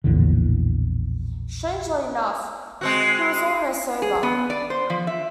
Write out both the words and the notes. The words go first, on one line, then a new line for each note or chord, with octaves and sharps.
Strangely enough, he was almost sober.
A#1 E2 A2 D3
G#3 C4 F#4
G#4
B3
D5
C5
F3
E5